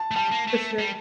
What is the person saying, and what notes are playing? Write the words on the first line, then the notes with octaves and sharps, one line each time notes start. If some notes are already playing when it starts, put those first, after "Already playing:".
For sure.
Already playing: A5
A3
G3 A5
A#3
A3
G3